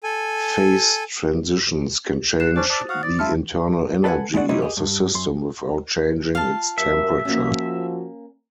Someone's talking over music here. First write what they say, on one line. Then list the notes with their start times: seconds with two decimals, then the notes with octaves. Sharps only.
Phase transitions can change the internal energy of the system without changing its temperature.
0.03 A4 G#5
2.40 F#6 C7 E7
2.56 C#4 D4 C5 D5
2.70 D5 A5 D#6 A6
2.89 F#4 F5 F#5 D#6
3.03 D5 A6
3.19 E4 F4 E5 A5 F6
4.04 A4 B4 D5 F5 F#5 G#5
4.34 G#3 B3 E4 F#4 D5 F#5
4.49 F#2 C3 D#3 F#3 D#4 E4
4.62 G4 G#4 D#5
4.77 G2
5.14 F#2 C6
6.35 F4 F5 A5
6.78 F#2 G4 A#4 E5
7.25 F3 A#3 C#4 F#4